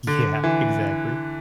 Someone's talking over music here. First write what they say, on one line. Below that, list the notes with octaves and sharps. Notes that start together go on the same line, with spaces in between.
Yeah. Exactly.
D3
E3